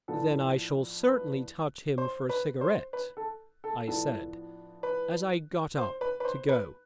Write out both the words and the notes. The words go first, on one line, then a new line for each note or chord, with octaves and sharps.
"Then I shall certainly touch him for a cigarette," I said, as I got up to go.
A2 F3 B3 D4 A4
B4
C5
B4
C5
B4
A4
A4
A2 F3 B3 D4 A4
B4
C5
B4
B4
C5
B4